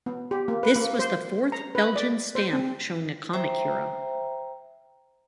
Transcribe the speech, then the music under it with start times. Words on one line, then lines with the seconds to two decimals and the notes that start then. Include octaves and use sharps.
This was the fourth Belgian stamp showing a comic hero.
0.06 B3
0.31 G4
0.48 A#3
0.63 B4
0.76 A#3
0.99 C5
1.52 A#5
1.75 B4
1.96 D5
2.35 C5
2.53 C4
3.33 C5 E5 G5 A#5